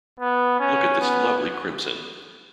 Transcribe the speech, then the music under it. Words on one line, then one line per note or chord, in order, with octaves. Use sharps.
Look at this lovely crimson!
B3
C#4
B3